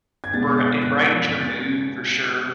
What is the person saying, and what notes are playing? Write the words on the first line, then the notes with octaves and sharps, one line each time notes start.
bri it brightens your mood for sure
G#6
B2 G#3 B3 D4 A6
A6
F#6
B6
A6